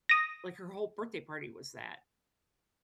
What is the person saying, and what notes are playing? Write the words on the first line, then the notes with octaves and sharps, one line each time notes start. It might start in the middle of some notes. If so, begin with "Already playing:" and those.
like, her whole birthday party was that.
D#6 A#6